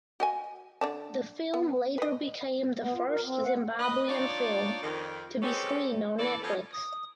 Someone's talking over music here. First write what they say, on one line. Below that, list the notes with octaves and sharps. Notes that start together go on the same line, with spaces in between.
The film later became the first Zimbabwean film to be screened on Netflix.
F#4 D#5 G#5
D3 D5 A5
B3
B4 D#5
B3
F4
A#4
C4
F#5
B4 D#5
D4 D#4 F4 C#5 D5
F2 D#3
G#3 C4 C#4 G4 A4 B4
E3 A4 D5
F3 F#3 B3 C#4 A4
D#6